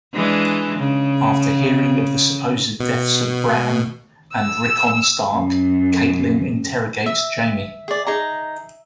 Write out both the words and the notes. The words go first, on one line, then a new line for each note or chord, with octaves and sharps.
After hearing of the supposed deaths of Bran and Rickon Stark, Catelyn interrogates Jaime.
E3 G#3 D4
C#3
B2
E6
F#2
E5
G#4 D5
D#4 G#4 A#5